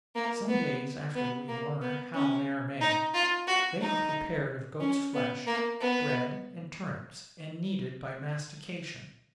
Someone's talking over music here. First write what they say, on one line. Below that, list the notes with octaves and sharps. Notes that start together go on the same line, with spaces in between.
Some days after we learned how they are made; they are prepared of goat's flesh, bread, and turnips, and kneaded by mastication.
A#3
B3
B3
A#3
B3
C#4
D#4
F4
F#4
D#4
C#4
B3
A#3
B3